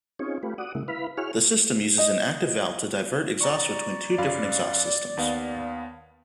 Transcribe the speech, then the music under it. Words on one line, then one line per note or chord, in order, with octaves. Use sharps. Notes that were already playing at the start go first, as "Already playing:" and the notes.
The system uses an active valve to divert exhaust between two different exhaust systems.
C4 C#4 D#4 F4 G#4 C#5
A3 F4 G4 B4
F#4 D5 F#5 D#6
C#3 G#3 A#3 E4
E4 B4 F5 B5
E4 F#4 G#4 C#5 F6
D#5
D5 A#5 C#6
F#2 F5 B5
D#2 B3 F5